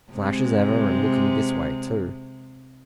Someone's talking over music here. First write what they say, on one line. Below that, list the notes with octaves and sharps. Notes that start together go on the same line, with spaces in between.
"Flash as ever, and looking this way, too."
C3 G#3